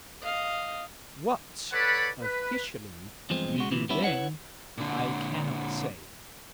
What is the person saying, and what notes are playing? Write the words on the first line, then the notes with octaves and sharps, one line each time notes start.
What--officially--you do then, I cannot say....
D#5 F5
A4 B4 C#5 D5 F#5 B5
B4
E2 G2 F3 G#3 C4
C#3 G#3 F#4
D2 C3 E3
G3 B3 C#4 E4
E4 B4 C#5 F#5
A#2 D3